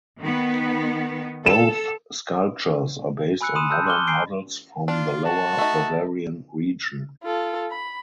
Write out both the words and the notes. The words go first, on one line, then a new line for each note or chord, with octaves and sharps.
Both sculptures are based on modern models from the Lower Bavarian region.
D#3 B3
A4 E7
G#5 B5 E6 F#6 C#7
B5 C6 D#6 D#7 E7
A5 E6 F#6 G6
C6 D6 F6 F#6 G7
G#5 A#5 G6 C7 D7 G7
D4 F4
F#4 A5
A3 D#4
F4 A4
B5